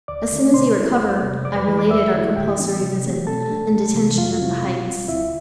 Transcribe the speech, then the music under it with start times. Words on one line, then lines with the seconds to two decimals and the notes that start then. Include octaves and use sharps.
As soon as he recovered, I related our compulsory visit, and detention at the Heights.
0.08 D2 D5 D6
0.32 D3 A3 D4
0.54 B2 C5 C6
0.76 G3 C4 E4
1.00 E2
1.22 C3 G3
1.44 F2 D5 D6
1.56 B4 B5
1.67 E3 A3 B4 B5
1.79 D5 D6
1.90 E2 E5 E6
2.13 D3 A3 E4
2.36 A2 G4 G5
2.58 E3 B3 D4
2.81 C3
3.04 E3 A3 C4
3.27 B2 A4 A5
3.50 A3 D4
3.72 C2
3.95 C3 E3 B3
4.18 F2 F4 F5
4.41 C3 G3 C4 E4
4.63 B2
4.86 G3 C4
5.09 D2 E4 E5